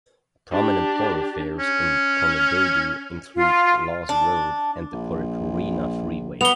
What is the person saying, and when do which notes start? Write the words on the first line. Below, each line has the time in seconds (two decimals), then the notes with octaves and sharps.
Prominent thoroughfares in Konedobu include Lawes Road and the Poreporena Freeway.
0.51 D4 G4
1.59 C#4
3.35 F4
4.09 D4
4.92 A#1
6.41 B3 F7 G7